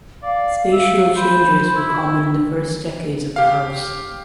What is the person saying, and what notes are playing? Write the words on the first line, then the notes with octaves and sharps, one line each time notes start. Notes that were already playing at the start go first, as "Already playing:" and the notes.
Spatial changes were common in the first decades of the house.
D5 F5
E5
C5 B5
E4
G4 F5